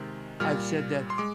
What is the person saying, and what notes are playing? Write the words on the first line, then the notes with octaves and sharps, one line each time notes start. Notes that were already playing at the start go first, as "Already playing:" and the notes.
I've said that,
Already playing: C3 D#3 G#3
A#2 G3 F6
C6
G#3 D6